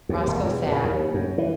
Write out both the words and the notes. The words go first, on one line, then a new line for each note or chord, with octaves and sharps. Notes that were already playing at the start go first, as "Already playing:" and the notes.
Roscoe sat.
D#2
E1
E2
A#2
D#2
F#2
E3